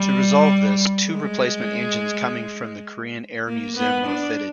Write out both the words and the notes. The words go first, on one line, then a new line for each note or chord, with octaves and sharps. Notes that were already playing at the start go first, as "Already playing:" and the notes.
To resolve this, two replacement engines coming from the Korean Air museum were fitted.
Already playing: G3
G#3
A#3
B3
D4